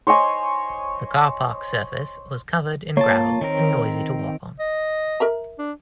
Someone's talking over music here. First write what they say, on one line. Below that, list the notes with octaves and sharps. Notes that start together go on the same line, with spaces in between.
The car park surface was covered in gravel and noisy to walk on.
C5 C#5 D#5 G#5
A#3 F4 C#5 A5
D#3 C4 A#4
D#5
A#4 E5 A#5
D4